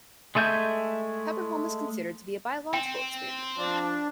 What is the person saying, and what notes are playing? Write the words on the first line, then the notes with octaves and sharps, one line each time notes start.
Peberholm is considered to be a biological experiment.
G#3 A3 E5 G#5 G6
C4 G5
F3 D4